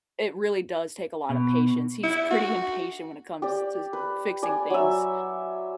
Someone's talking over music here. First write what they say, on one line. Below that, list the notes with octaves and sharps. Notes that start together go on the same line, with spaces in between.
it really does take a lotta patience. He's pretty impatient when it comes to fixing things,
B2
E4
F#4
G4 D5
B4
D5 G#5
F#3 E5